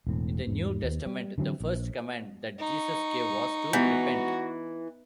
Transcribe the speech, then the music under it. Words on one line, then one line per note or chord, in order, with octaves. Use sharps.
In the New Testament, the first command that Jesus gave was to repent.
E1 A2 C4
E2 G#2
D#2
G3
D3 E3 F#3 C4
A#1
D#4 C#6
E3 B3 F#4 G6